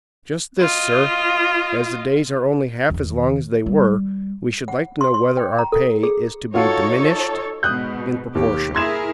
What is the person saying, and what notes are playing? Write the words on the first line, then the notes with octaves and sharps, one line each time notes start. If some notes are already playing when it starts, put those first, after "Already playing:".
"Just this, sir; as the days are only half as long as they were, we should like to know whether our pay is to be diminished in proportion."
F4 D#5
E2 D#3
G3
F#5
C6
C6
G5
A#5
A4
G#4
D#4 F4 F#4 A4 C#5 F5
G#2 B2 D#6 F#6 G6
D#2 G4
E4 G#4 A#4 C6 G#6 E7